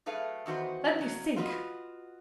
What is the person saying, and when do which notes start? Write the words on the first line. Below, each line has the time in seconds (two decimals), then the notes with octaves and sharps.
"Let me think."
0.06 F#3 A3 G#4 B4 F5
0.46 E2 D#3 F#4 B4 C5
0.99 C#3 F#3
1.36 F4 F#4 B4 D#5